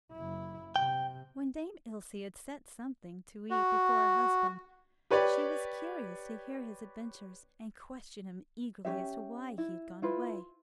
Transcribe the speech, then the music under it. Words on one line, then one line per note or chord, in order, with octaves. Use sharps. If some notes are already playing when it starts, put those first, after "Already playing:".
When Dame Ilse had set something to eat before her husband, she was curious to hear his adventures, and questioned him eagerly as to why he had gone away.
F#1 E4
C3 G5
F#4
G4 B4 C#5 D5
C#4 D4 G4 E5
E4
E4 F4 B4